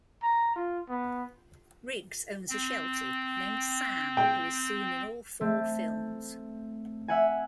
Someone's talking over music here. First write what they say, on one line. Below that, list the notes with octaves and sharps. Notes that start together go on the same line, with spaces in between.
Riggs owns a Sheltie named Sam who is seen in all four films.
A#5
F4
B3
C4
G5
A3 C4
E5 F#5 G#5